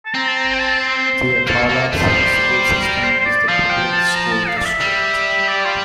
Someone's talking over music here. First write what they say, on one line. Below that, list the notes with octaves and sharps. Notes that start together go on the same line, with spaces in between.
The Attalla City School System is the public school district.
A5
C4 A#5
A5
A#5
G5
A5
C5
A#3 A4
A4
A#3
A3 C5
F3
G3
A#4
A#4
C5
C5
D5
F3 F5
G5
A5
A#5
A5
F5
D5
E5
G3
D5
F4